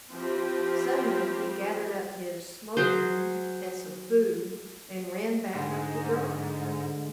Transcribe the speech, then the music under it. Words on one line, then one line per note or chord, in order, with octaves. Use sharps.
Suddenly he gathered up his "smoking" and some food and ran back up the draw.
F3 C4 E4 G4
F#3 G#4 C5
G#2 D3 G#3